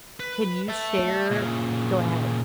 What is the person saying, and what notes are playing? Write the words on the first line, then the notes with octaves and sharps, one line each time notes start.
Can you share Go ahead.
B4
E5 A5
A#2 C#3